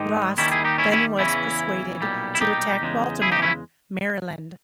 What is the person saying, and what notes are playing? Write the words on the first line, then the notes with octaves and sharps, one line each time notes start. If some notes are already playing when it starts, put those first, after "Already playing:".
Ross then was persuaded to attack Baltimore, Maryland.
Already playing: G#2 D#3 G#3 D#4 G4
D#2 D#3 G3 C#4 E4
E4 G#4
D#4 G4
C#4 E4
C#4 E4
E2 C#3 E3 C#4 E4
B1 A#2 G3
E4
D#4 G4
E2 C#3 G#3
E4 G#4
D#4 G4
C#4 E4